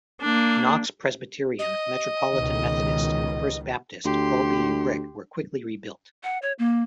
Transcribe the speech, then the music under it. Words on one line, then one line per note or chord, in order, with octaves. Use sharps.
Knox Presbyterian, Metropolitan Methodist and First Baptist, all being brick, were quickly rebuilt.
A#3 D4
D#5
C#2 B2 D#3
D2 G4 C6
F#5
C#5
A#3